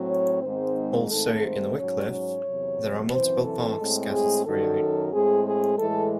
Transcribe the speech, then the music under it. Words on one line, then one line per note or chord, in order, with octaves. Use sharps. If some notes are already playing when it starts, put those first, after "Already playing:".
Also in Wickliffe, there are multiple parks scattered throughout.
Already playing: A2 F#3 C4
C#5
G#2 D#3 G#3 C4 C5
G#2 D#3 A3 C4 A4
C5
G#2 F#3 C#4 C#5
C#5
E2 C3 F#3
F#2 E3 C4 C5
A4
A2 G#3 C4
G#4
F#2 D#3 F#3 A4
A2 G#3 C4 G#4
G#4
A2 E3 G#3 A4